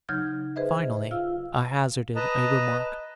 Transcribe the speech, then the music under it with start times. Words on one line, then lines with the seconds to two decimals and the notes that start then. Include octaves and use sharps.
Finally, I hazarded a remark.
0.09 C#3 F#3 D#4 F6 G6 G#6
0.56 G#4 B4 C5 D#5 E5
1.11 F4 F5 E6 F6
2.16 B4 D#5 A5 A#5